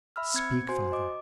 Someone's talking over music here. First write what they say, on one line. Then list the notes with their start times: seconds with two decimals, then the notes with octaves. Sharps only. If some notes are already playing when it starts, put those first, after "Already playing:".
Speak, Father.
0.16 E5 B5 E6 F6
0.34 C4 G#6 C#7
0.68 F#4 C5 G#5 C6
0.92 D#5 D6